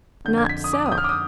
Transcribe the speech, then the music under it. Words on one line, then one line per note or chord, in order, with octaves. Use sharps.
Not so.
F2 D3 G6
G#6
B6
D#6
D6
D#6
G6
F6
D6
D#6